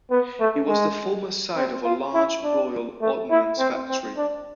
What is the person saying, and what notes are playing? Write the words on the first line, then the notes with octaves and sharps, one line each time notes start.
It was the former site of a large Royal Ordnance Factory.
B3
A3
G#3
C4
F4
E4
D4
A3
E4
C4
C4
D4